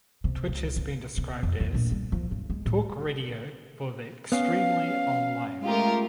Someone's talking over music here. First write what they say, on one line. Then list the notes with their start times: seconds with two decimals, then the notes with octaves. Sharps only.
Twitch has been described as "talk radio for the extremely online".
0.24 C3
0.48 C#2
0.76 C#3
1.17 C3
1.43 F2
1.60 E2
1.74 A#1
1.91 G3
2.12 F3
2.31 G2
2.50 G#3
2.66 A2
4.32 B3 C#4 F5
5.64 G#3 A3 F4 G4 A#4